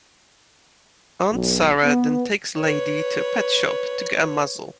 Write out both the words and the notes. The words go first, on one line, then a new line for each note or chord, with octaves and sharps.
Aunt Sarah then takes Lady to a pet shop to get a muzzle.
B1
B3
B4 C#5